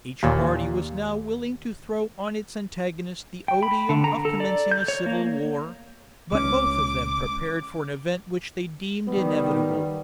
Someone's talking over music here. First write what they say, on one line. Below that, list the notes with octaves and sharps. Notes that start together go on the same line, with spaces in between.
Each party was now willing to throw on its antagonist the odium of commencing a civil war; but both of them prepared for an event which they deemed inevitable.
D#2 A#2
G5
B5
D3
A#5
A4
D5
G6
C#5
A#3
C#2 C#4 D6
D#3 G3 B3